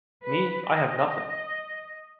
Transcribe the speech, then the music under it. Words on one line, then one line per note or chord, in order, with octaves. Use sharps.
Me, I have nothing!
B4
D#5